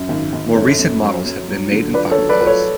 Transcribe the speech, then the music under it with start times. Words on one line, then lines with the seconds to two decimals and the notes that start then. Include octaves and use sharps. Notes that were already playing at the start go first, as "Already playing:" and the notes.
More recent models have been made in fibreglass.
Already playing: F#2
0.09 G#1
0.33 G#1
0.55 F#2 A4 C#5
0.79 F#2
1.02 F#3
1.26 F#3
1.48 F#3
1.72 D3
1.94 F4 B4 D5
2.11 A4 C#5
2.18 F#3
2.29 B4 D5
2.40 F4 B4
2.47 A4 C#5